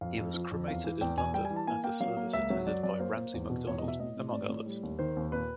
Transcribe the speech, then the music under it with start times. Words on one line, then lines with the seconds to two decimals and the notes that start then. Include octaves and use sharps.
He was cremated in London at a service attended by Ramsay MacDonald among others.
0.01 F2 F5
0.18 F2
0.34 F3
0.51 F2
0.68 E2 F5
0.84 E3
1.01 E2 G5
1.17 E2 G#5
1.34 G3 G5
1.45 G#5
1.51 E3
1.56 A5
1.67 A#3 G#5
1.84 A#3 G5
2.00 F#3 F5
2.17 A#3
2.33 C#2 E5
2.50 F#3
2.67 F#2 D5
2.83 F#2 D5
3.00 A#3 C5
3.16 A#3
3.34 E2
3.50 B2
3.67 E2 C#5
3.78 D#5
3.83 B2
3.88 E5
4.00 A2 D#5
4.17 A2
4.32 A2 D5
4.49 A2
4.66 G3
4.83 D#2
4.99 D#3 C5
5.16 D#2
5.32 A#2 B4